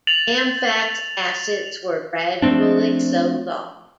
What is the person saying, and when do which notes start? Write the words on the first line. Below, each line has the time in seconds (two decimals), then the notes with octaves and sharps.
Amfac's assets were gradually sold off.
0.07 A6 F7 F#7
2.42 F3 A3 C4 D4